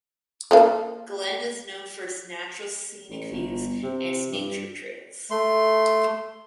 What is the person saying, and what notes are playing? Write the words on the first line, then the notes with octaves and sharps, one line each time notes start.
Glen is known for its natural scenic views and its nature trails.
A#3 A4 F5
A1
G1
C3
G2
A3 C6